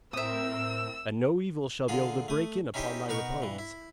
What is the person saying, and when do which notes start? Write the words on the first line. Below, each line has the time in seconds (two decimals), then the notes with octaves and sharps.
And no evil shall be able to break in upon thy repose.
0.13 A2 C4 A#4 E5 D#6 E6
1.88 D3 A#3 F4 G#4
2.28 A3 D#6
2.74 C#4 D#4 E4 G4 C5 D#5
3.08 B2 D#4 F#4 A#4 C#6
3.42 G2 E3
3.59 E4